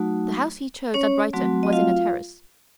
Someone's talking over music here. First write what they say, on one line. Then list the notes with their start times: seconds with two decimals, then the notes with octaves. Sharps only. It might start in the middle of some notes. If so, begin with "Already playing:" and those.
The house he chose at Brighton was in a terrace.
Already playing: F#3 A3 D#4 F#4
0.94 C#4 C#5
1.33 F#3 A3 C4 F#4
1.63 D#5
1.73 F4 F5